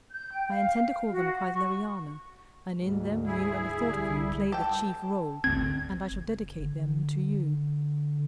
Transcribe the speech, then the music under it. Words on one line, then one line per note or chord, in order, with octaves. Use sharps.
I intend to call them 'Kreisleriana,' and in them you and a thought of you play the chief role, and I shall dedicate them to you.
G6
G5
F5
F#4
C#6
D2 G#2
E4 G#4
C2 D3 G3
A4 G5
G#1 D2 C4 G#6
F#1
D3